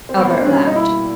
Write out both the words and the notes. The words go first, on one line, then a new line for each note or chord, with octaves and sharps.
Albert laughed.
C4
B2 G3 A#3 B3
C4
D4
C#4
D#4
E4